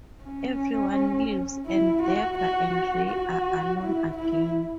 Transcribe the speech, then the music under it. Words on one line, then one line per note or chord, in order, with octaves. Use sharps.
Everyone leaves and Debra and Ray are alone again.
C#4
E4
F#4
F#4
F#4
E4
E4